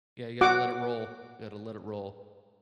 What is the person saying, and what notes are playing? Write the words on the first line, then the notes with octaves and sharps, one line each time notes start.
Yeah, you gotta let it roll. You gotta let it roll.
F#4 F#5 D6